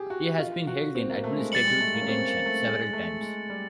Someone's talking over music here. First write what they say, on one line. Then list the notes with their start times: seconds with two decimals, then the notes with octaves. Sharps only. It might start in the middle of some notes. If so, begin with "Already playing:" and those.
He has been held in administrative detention several times.
Already playing: G4 G#4
0.10 F#4
0.39 F4
0.67 F#4
0.95 C4
1.10 A#3
1.24 A3
1.37 G#3
1.52 G3 A6 C#7 F#7
1.65 G#3
1.80 A3
1.94 A#3
2.01 C#4
2.08 C4
2.27 A#3
2.46 A3
2.65 G#3
2.93 A3
3.21 G#3
3.50 G3